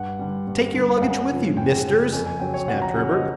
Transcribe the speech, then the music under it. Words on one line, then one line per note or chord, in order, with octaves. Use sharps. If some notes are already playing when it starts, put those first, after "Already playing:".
"Take your luggage with you, Misters!" snapped Herbert.
Already playing: G2 F#5
D3 G3
G2
D3 G3
F5
F#2 F#5
C#3 F3
F#2 G5
C#3 F3
F2 G#5
G#5
C#3 F#3 G5
C#5
F2 F#5
A#5
C#3 F#3 F#5
D#5